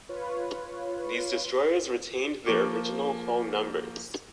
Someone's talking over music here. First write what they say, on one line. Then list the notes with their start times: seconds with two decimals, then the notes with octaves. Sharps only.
These destroyers retained their original hull numbers.
0.09 F4 B4 C#5
2.46 F3 A#3 C#6 D6